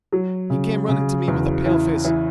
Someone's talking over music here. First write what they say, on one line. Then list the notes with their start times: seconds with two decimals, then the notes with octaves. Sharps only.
He came running to me with a pale face....
0.12 F#3
0.50 C#3
0.89 C#3
1.28 E2
1.66 E3
2.05 E3